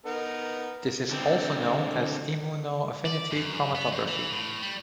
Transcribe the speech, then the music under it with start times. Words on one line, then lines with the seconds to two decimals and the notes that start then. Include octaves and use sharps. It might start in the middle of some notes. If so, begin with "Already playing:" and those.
This is also known as Immunoaffinity Chromatography.
0.06 B3 D#4 A#4
1.11 D3 C4
3.06 D5
3.31 F#2
3.75 B3
3.92 F2
4.08 E3
4.32 A2
4.62 G3